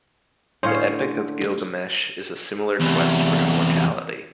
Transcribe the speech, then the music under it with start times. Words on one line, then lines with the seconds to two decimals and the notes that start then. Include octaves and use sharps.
The "Epic of Gilgamesh" is a similar quest for immortality.
0.63 A2 D3 C#4 C5 C#5 D#5 F5
2.80 E2 C3